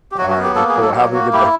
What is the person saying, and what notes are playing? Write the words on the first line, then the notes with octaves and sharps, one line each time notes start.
All right, well, cool. Have a good day.
G4
F#3 F#4
F#4
B3
G4
A#3 A4
G#4
F#3
A4
A#3 G4
A#3 F#4
E4 G4